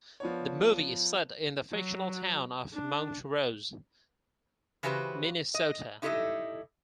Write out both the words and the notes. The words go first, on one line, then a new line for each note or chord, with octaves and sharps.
The movie is set in the fictional town of Mount Rose, Minnesota.
F3 B3 D4 C#5
F#3
D4
C#3 E3 F#4 G4 B4 C5
D#5
D#4 E4 G4 A4 A#4 D#5